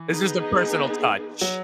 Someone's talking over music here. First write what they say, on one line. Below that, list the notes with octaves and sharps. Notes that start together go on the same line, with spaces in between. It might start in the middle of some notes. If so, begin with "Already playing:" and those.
It's just a personal touch.
Already playing: E3
B3 D#4 G#4 B4
F#3